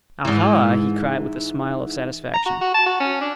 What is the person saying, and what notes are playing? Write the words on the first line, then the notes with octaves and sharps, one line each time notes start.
"Aha!" he cried with a smile of satisfaction.
G#2 E3
A#5
F#4
F#4
A5
F#4
C#4
D4